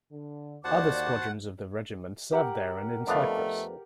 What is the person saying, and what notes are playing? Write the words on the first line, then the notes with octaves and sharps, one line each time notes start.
Other Squadrons of the regiment served there and in Cyprus.
D3
D#2 F#4 C5 D5 F#5 A5 D6
G4 A#4 F#5
F2 A3 B3 D4 D5 D#5 F5